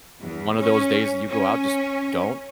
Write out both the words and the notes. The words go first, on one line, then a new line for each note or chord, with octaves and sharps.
o one of those days that you go out, just don't
E2
C#4
C#4